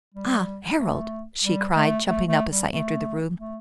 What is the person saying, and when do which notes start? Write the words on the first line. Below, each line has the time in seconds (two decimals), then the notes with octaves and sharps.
"Ah, Harold!" she cried, jumping up as I entered the room.
0.15 G3
0.79 A3
1.43 G3
1.76 A3
2.07 A3
2.29 A3
2.51 G3
2.72 A3
3.37 A3